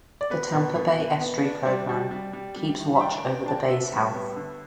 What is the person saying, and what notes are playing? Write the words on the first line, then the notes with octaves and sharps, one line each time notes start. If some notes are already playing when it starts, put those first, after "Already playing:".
The Tampa Bay Estuary Program keeps watch over the Bay's health.
D5
B3 B4
B2
B2
B2
B3
D4
G3 D5
G3
G3
G3
G3
A2
E5
D4 G5
B3
D4 A5
G5
B3 E5
G3
B3
D3